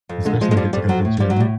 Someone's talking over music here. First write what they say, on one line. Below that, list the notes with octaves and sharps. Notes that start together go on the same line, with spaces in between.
Especially to get to go to the gym.
F2
D3 G#3
F3 G#3
G#3
F2 G3
F2 G3
F3 F#3
A2
F3 G3
F#3
A2 G3